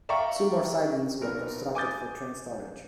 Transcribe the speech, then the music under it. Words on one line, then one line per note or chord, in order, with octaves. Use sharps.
Two more sidings were constructed for train storage.
D5 E5 F5 G5 A#5 C#6
B1 B3 A#4
G#5 D6 D#6 G6 A6